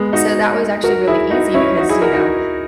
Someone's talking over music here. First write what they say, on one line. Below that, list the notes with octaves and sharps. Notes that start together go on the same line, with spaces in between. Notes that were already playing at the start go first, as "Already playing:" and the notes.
so that was actually really easy because, you know,
Already playing: G#3 B3
D#4 F#4
F#4 A#4
E4 G#4
D#4 F#4
C#4 E4
D#4 F#4
E4 G#4
F#4 A#4
D#4 F#4